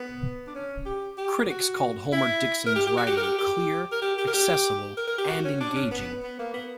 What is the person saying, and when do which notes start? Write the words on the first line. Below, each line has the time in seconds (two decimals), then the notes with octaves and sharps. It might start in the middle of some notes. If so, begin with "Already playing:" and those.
Critics called Homer-Dixon's writing clear, accessible, and engaging.
Already playing: B3
0.47 D4
0.55 C#4
0.86 G4
1.18 G4
1.50 F#4
2.13 E4
2.66 A#4
2.76 G4
2.87 G4
2.97 F#4
3.07 G4
3.17 A#4
3.23 G4
3.38 G4
3.92 A#4
4.02 G4
4.18 G4
4.27 A#4
4.34 G4
4.97 A#4
5.07 A#4
5.18 G4
5.29 F#4
5.45 C#4
5.60 D4
5.76 C#4
5.91 B3
6.23 B3
6.39 A#3
6.54 B3